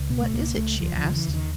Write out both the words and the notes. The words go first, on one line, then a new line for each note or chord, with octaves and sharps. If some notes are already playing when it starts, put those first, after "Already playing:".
"What is it?" she asked.
Already playing: C#2
B2 B3
A3
C#2 A#3
C#2 A3
D#2 F3
F3
C#3
E3
D#2
D#3